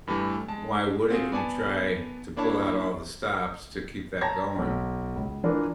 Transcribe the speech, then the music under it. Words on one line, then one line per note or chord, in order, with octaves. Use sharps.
Why wouldn't you try to pull out all the stops to keep that going?
G2 E3 G3 A3
G#3 A5
C4 F4 F#4 G#4 C5
B3 D5 G#5 A5
A#3 D4 E4 C#5 A5
C#5 G5 A5 A#5 G#6 A#6
B1
C#2
E3 D4 F4 A#4 B4